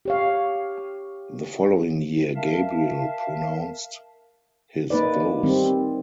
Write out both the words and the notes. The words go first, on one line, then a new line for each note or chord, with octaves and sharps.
The following year Gabriel pronounced his vows.
G4 C#5 F5
A#4 E5 F5 A5
A#3 D#4 B4 D5
D#3 G3 C4